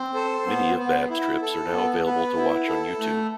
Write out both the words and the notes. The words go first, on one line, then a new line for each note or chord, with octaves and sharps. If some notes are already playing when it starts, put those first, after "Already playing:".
Many of Babbs's trips are now available to watch on YouTube.
Already playing: C4
A4 C5
B3
B3
E4
A4
B3
B3 B4
E4
A4
A3